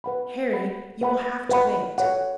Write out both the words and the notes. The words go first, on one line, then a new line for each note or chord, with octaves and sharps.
Harry, you will have to wait.
B4 F#5 B5
B4 F#5 B5
B4 F#5 B5
B4 F#5 B5
A4 C#5 F#5